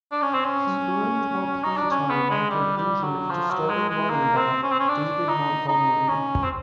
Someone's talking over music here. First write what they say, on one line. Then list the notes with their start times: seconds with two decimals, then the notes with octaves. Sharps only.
He earned more playtime after an injury to starting running back David Montgomery.
0.11 D4
0.22 C#4
0.34 C4
0.45 C#4
1.64 D#4
1.77 D4
1.91 C#4
2.10 B3
2.30 G#3
2.50 G3
2.77 G3
3.04 F#3
3.30 F3
3.50 F#3
3.69 G#3
3.89 G#3
4.10 A#3
4.37 C4
4.63 C#4
4.72 C4
4.80 C#4
4.89 D4
5.29 D#4
5.69 D#4
6.09 C#4
6.44 C4